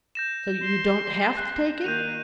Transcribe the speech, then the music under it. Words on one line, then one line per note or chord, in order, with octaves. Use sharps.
So you don't have to take it.
G6 A#6 E7
C6
F#6
D#3 A#3 G6 D#7 F7